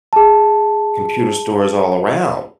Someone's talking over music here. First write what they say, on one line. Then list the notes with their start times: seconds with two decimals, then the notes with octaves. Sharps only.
computer stores all around
0.13 G#4 A5